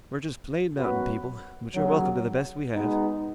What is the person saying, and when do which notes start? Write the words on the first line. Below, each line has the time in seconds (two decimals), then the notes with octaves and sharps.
We're just plain mountain people, but you're welcome to the best we have.
0.76 F#2 F#3 B3 F#4 B4
1.75 D#2 C#3 F#3
2.74 B2 G#3 B3 D#4